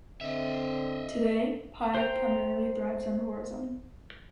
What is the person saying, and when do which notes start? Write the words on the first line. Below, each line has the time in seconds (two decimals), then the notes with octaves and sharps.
Today, Pai primarily thrives on tourism.
0.21 D3 C4 D#5 E5
1.95 C5 G5 A#5